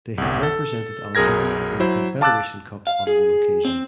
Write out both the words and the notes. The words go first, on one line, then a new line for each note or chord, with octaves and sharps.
They have represented Algeria in the Confederation Cup on one occasion.
G1 C2
A4
B1 F#2 G#4 A#4 G#6 A#6
F#3 E4 C5
F5 A5 D6 E6 F#6 A6
F5
G#4
C4